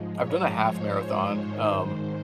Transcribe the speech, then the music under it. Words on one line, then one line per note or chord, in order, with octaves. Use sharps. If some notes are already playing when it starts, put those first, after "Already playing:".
I've done a half marathon, um,
Already playing: G#2 F3 G#3
C#5
C5
C5
G#2 D#3 G#3